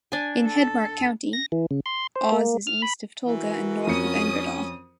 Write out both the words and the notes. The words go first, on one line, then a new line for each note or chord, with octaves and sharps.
In Hedmark county, Os is east of Tolga and north of Engerdal.
D4 G#5
A4
A#6
E3
C#3
C6
C5
A#3
F6
B5
E3 F#4 A#4
F2 C#4 D#6 C#7